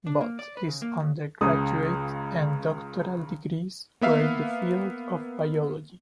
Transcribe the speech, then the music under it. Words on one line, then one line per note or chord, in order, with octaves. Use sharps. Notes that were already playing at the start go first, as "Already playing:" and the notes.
Both his undergraduate and doctoral degrees were in the field of biology.
D4
A#3
D5
B4
C#3
A#3
D#2
C#2 C#3 D#6
A#3 B3 E5 F5